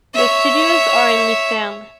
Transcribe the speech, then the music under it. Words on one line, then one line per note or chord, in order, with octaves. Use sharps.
The studios are in Lucerne.
C#5 E5